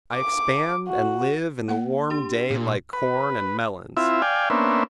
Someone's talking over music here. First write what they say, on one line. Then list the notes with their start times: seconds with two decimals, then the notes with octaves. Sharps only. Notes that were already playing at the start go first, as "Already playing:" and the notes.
I expand and live in the warm day like corn and melons.
0.14 D6
0.88 F#4
1.68 A#3 F#5
2.10 D4 G4 C6
2.51 A#2
2.93 B4
3.97 C4 E4 F4 E5
4.22 D5 F5 G5 G#5
4.50 A#3 B3 C#4 D4 C5 E5